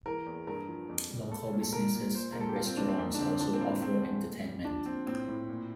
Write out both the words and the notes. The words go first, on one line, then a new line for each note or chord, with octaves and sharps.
Local businesses and restaurants also offer entertainment.
E3 A#4
E2
G2 A#4
F3
F2
G3
A3 A4
A#2
A4
A#2 A#4
A#2
A#2 C5
A#2 A#4
A4
G4
G3 F4
C4
G3 D4
C4
F2 A#3
D4
D3 C4
F3 D4
C4
A2 A#3
A3 C4
E2
A#2
G3
F3 D4
F3 C4
A2 C4
A2
A#2